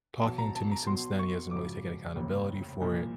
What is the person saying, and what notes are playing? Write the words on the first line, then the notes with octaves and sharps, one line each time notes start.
talking to me since then, he hasn't really taken accountability for it
B1 B2 A5
A#5
A5
A#5
B1 B2 C6
C#6
G#1 F#2 C#3 F3 D6
F1 D#2 C#3
C2 A#2 F3